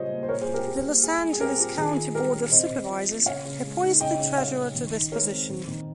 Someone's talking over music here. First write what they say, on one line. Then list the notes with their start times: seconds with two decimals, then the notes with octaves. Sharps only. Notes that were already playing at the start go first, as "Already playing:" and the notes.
The Los Angeles County Board of Supervisors appoints the treasurer to this position.
Already playing: C#3 G3 G#3 F4 C5 C#5 D#5
0.10 A#3
0.23 C5
0.28 A#2 A#4 C#5
0.41 G#4 C5
0.47 F4
0.54 G4 A#4
0.66 G3 G4
0.85 A#3
1.03 G3 G#4
1.22 G3
1.33 G#4
1.40 C4 G4 A#4
1.59 F4 G4
1.77 D#3 G#4
1.96 F4
2.15 G3 G4 A#4
2.34 C#4
2.51 C3 C5 D#5
2.71 C3
2.89 F3
3.07 A#3
3.26 C#3 C#5 F5
3.45 C#3
3.63 G#3
3.82 D#4
4.00 C#3 D#5 G5
4.19 C#3
4.37 G3 C#5 F5
4.56 C#4
4.75 D#3
4.94 D#4
5.12 G#3 A#4 C#5
5.31 C4
5.49 D#3
5.67 D#3